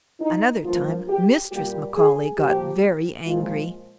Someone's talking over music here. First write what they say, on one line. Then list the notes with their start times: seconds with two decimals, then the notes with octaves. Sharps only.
Another time Mistress McCaully got very angry.
0.20 D#4
0.64 G2 F3 A#3 F4
1.08 G4
1.51 A#2 G3 A#3 G4
1.94 G#4
2.38 A#2 F3 A#3 G4
3.26 A#2 F3 G#3 F4